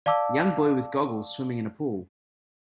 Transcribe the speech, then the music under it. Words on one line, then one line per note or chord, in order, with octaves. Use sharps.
Young boy with goggles swimming in a pool.
D5 F5 A5 D6 E6